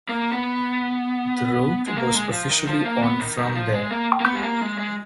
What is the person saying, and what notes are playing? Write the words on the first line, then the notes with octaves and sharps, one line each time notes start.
The rout was officially on from there.
A#3
B3
G#3
A#3
G#3
F3
D#3
F3
A#3
B3
D#3
D#3
F3
G#3
A#3
A#3
B3
G#3
A#3
G#3
G#3